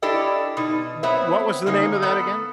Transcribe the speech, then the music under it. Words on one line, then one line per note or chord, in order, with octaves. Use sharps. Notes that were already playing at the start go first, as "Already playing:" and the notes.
W w what was the name of that again?
D4 E4 G4 A4 D#5
B2 D#4
F#3 B3 C4 C#5 E5
D3 A#3 C#4 D#4
B3 A4